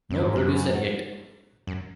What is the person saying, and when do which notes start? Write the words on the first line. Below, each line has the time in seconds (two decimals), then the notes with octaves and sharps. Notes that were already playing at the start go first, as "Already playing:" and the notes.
No producer yet.
0.11 F#2
0.23 G#2
0.36 F#2
1.67 F#2